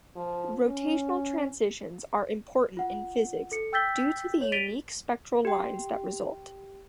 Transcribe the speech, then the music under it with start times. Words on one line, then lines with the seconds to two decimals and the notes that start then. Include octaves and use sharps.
Rotational transitions are important in physics due to the unique spectral lines that result.
0.16 F3
0.66 C#4
2.77 F4 F#5
3.52 A4 C#7
3.73 G5 E6 G6 A6 B6 G7
4.41 C#5 F#7
4.52 A6 B6 D7 D#7 F7 G7
5.45 G4 G5